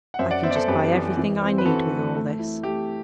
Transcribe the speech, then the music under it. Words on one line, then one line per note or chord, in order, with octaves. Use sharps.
"I can just buy everything I need with all this."
F#5
F#2 C5 E5
D5 F#5
B3 C5 E5
D5
A4 C5
F#2 G4 B4
E3
E3
C4
B4
E3 F#4 A4
A3
A3
E4
A3 G4